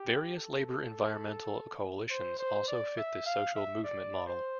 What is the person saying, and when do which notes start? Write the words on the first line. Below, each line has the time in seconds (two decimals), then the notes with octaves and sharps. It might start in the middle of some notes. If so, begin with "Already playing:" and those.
Various labour-environmental coalitions also fit this social movement model.
Already playing: G4
0.36 A4
2.10 C5
2.39 C5
2.68 D5
2.97 E5
3.26 F5
3.55 E5
3.84 D5
4.27 C5